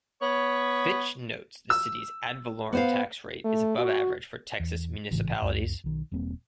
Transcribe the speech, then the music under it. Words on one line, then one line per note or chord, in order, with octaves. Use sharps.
Fitch notes the city's ad valorem tax rate is above average for Texas municipalities.
B3 C#5
E6
B3 C5 F5
A3
F#4
E2
A1 G#2 C#3 E3
C#2 F#2
B1 D#3
E1 G3 A#3 C4